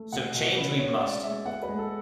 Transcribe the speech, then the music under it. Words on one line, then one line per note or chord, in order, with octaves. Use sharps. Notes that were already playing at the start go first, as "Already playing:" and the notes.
So change we must!
Already playing: A3
B2 F#5
B2 F#5
C#4 B4
C#4 C#5
G#3 D5
G#3 E5
B3 F#5
B4
G#3
A4